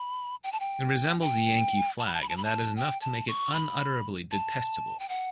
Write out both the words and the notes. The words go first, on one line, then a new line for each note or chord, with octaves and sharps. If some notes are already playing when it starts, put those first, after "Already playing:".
It resembles the Yankee flag and that is enough to make it unutterably detestable.
Already playing: B5
G5
A5
G5
G5
A5
B5
A5
B5
A5
B5
A5
G5
A5
C#6
B5
A5
G5
F#5